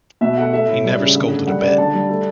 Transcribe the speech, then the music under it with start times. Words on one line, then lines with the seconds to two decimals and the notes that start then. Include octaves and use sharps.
He never scolded a bit.
0.21 B2 E5
0.37 A3 F#5
0.53 A3 E5
0.68 A2
0.84 G3
0.99 C#3
1.15 D3
1.31 A3
1.47 G3 F#5
1.62 C#3 D5
1.78 D3 A5
1.93 G3
2.09 A3